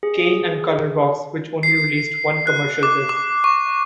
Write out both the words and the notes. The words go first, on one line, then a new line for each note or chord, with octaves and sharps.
Kane and Colourbox, which only released one commercial disc.
G#4
C7
F#6
D6
D6
C#6